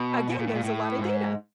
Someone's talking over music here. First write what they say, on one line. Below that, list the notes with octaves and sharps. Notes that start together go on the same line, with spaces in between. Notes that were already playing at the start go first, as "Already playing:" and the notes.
again, there's a lotta data.
Already playing: B2
B2
A#2
A2
A#2
A2
G#2